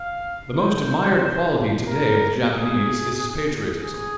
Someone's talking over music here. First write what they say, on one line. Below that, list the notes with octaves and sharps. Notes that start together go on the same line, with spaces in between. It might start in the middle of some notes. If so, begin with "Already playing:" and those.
The most admired quality to-day of the Japanese is his patriotism.
Already playing: F5
C5
A#4
G#4
G#4